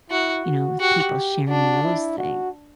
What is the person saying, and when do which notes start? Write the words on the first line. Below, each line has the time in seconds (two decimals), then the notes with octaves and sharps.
you know, with people sharing those things.
0.10 E4 F#4
0.45 F#4
0.80 F#4 G4
1.48 D4 F#4
1.84 E4
2.18 F#4